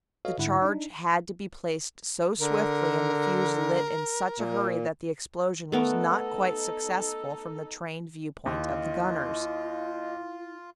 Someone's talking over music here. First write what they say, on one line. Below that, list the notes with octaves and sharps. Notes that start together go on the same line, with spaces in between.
The charge had to be placed so swiftly and the fuse lit in such a hurry that the explosion was not quite successful from the trained viewpoint of the gunners.
F#4 A4 B4 C#5 D#5 F5
G#2 D3 E4 F#5 B5
D4 D#4
D3 A#4
A#2
A3 B3 D#4 A4 A#4
D#2 E4 F4 D#5